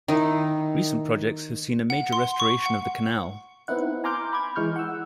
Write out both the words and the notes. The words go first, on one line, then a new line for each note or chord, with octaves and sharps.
Recent projects have seen a major restoration of the canal.
D#3 D#4 E4
F#5
C6
C#6
F#5
B3 C4 D#4 E4 F#5
G#5 A#5 C6 D6 F6 G6
B5 D6 G#6
E3 G#3 C#6 F6 G6
F#5 E6